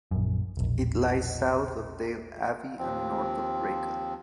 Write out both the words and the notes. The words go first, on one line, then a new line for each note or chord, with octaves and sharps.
It lies south of Dale Abbey and north of Draycott.
A#1 F#2
E1 A#1
D#2 F3 C4